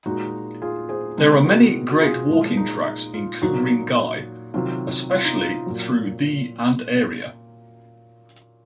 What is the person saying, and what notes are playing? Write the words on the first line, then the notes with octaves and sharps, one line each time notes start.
There are many great walking tracks in Ku-ring-gai, especially through the and area.
A#2 G#3 D#4 F#4
F4 G#4
G#4 C5
C3 D#3 G#3
F#4 A#4
F#4
F4 G#4
A#2 F3 G#3
D#4
F4
A#2 F#3 D#4 F#4
C3 D#3 F#3 F4
F4
D#4
F4
A#2 F#3